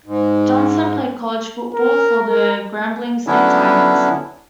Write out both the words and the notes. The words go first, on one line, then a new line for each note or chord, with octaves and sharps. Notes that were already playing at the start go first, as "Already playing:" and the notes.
Johnson played college football for the Grambling State Tigers.
G#2
A#4
A#4
D3 F#3 B3 C#4 D4 E4